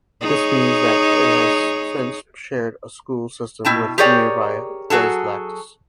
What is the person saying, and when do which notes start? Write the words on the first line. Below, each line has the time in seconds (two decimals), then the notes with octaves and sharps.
This means that it has since shared a school system with nearby Des Lacs.
0.21 D#4 G#4 C#5
3.65 B2 E4 G5 A5
3.98 G4 G#4 A#4 C#5 D5 G5
4.90 F#3 F#4 G#4 A4